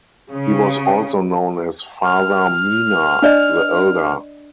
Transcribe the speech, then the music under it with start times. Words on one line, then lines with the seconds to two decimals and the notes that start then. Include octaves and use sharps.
He was also known as Father Mina the elder.
0.29 C#3
2.04 F6
3.22 D4 D5 D#5